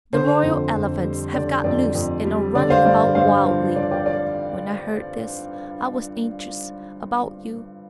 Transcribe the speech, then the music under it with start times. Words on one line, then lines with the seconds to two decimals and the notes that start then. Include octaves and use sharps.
The royal elephants have got loose and are running about wildly. When I heard this I was anxious about you.
0.13 D3 C5
0.43 F2
0.74 F2
1.04 G3
1.34 D3 D5
1.64 F2 D5
1.95 F2
2.25 G3
2.55 D3 D5
2.70 C5 F5
2.86 G2 D5
3.15 G2 C5 F5
3.46 F3 C5
3.76 D3 D5
3.91 D5 G5
4.06 D5